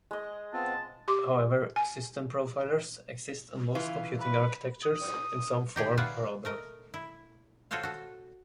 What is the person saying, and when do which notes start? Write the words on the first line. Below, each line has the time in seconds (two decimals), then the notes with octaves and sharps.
However, system profilers exist on most computing architectures in some form or other.
0.11 G#3 D#5
0.53 B3 C4 F4 A5
1.08 G4 C6 D6
1.76 G#5
3.75 C#3 E3 F4
4.19 B4
4.83 D#6
5.76 D#4 G4 G#4
5.97 F4 G#4 B4 D5 E5 F#5
6.45 A3 A#4 D#5
6.94 E4
7.71 F4 F#4 A4 C5 C#5 F5
7.83 F#4 A4